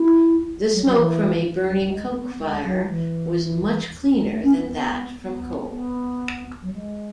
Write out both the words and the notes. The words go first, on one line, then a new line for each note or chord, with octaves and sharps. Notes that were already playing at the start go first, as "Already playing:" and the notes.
The smoke from a burning coke fire was much cleaner than that from coal.
Already playing: E4
F#3
F#3
E3
F#3
G#3
B3
G#3
F#3
E3
G#3
A3
C#4
B3
B3
B3
B3
F#3
G#3